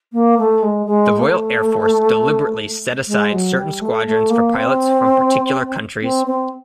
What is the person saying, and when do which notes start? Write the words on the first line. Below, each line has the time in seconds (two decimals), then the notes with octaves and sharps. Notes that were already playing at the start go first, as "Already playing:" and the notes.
The Royal Air Force deliberately set aside certain squadrons for pilots from particular countries.
0.13 A#3
0.38 A3
0.63 G#3
0.86 G#3
1.19 A#3
1.24 A3
3.08 G#3
3.32 F#3
3.57 G3
3.81 A3
4.06 A3
4.30 A#3
4.55 C4
6.02 C4
6.27 C4